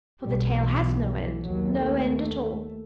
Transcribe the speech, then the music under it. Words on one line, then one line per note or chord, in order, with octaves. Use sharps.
For the tale has no end, no end at all.
B1 B2 G3
E3
E3
D#2 F#3
A3